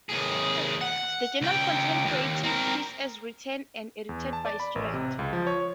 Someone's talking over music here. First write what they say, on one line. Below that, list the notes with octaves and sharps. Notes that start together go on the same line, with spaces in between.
The journal contains creatives pieces as written and edited by students.
D#2 G#4
F#5
C#2 G5
D#2
C4 A#4
E2
A5
D5
B5
A1
C3
C#2
F3
C#5